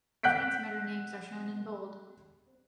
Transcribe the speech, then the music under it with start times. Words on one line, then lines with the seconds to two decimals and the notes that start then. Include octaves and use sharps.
Transmitter names are shown in bold.
0.23 F#5 F#6 G6 B6 D7